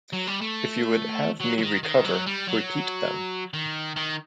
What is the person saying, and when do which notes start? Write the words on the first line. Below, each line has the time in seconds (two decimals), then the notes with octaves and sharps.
If you would have me recover, repeat them.
0.13 F#3
0.27 G3
0.42 A3
1.41 F#3
1.58 F#3
1.62 D#3
1.83 D#3
2.05 F#3
2.26 G3
2.47 F#3
3.54 D#3
3.96 D#3